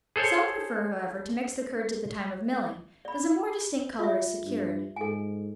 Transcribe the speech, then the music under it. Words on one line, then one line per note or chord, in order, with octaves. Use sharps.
Some prefer, however, to mix the curds at the time of milling, as a more distinct color is secured.
G#4 A4 C5 C#5
D5 B5
F4 E5
G2
G#2 A4 G#5